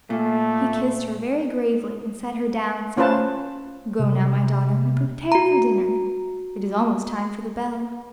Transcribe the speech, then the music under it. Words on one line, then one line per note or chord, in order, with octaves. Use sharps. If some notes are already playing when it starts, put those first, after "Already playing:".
He kissed her very gravely, and set her down, saying, "Go now, my daughter, and prepare for dinner; it is almost time for the bell."
A#2 A3
C#4 F4 B4 C5 A5
C3
F#4 A#5